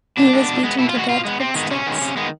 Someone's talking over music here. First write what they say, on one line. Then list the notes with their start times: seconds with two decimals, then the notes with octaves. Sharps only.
He was beaten to death with sticks.
0.17 B2 D4
0.33 G#3 B3
0.48 B2
0.63 G#3 B3
0.79 B2 E4
0.89 F4
0.94 G#3 B3 F#4
1.09 B2 F4
1.25 G#3 B3
1.40 C3 C4
1.55 D#3 G#3 B3
1.71 C3 C#4
1.86 D#3 G#3 B3
2.01 C3
2.16 D#3 G#3 B3